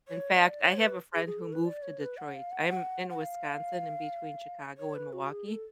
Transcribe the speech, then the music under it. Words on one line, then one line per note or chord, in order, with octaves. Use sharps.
In fact, I have a friend who moved to Detroit. I'm in Wisconsin, in between Chicago and Milwaukee,
C#5
D5
C#5
B4
G#4
G#4
A4
B4
D5
C#5
B4
F#5
F5
F#5
F#5
F#5
F5
C#5
B4
F#4
G#4
A4